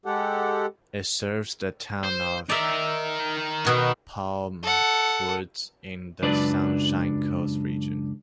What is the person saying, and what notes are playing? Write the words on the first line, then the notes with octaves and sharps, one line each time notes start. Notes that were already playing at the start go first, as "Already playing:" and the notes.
It serves the town of Palmwoods in the Sunshine Coast Region.
G#3 G4 A4 F#5
C5
D#4 A#4 D5 E5
B2 F#4
A4 F#5
C#2 F#2 F#3 D4 B4 D5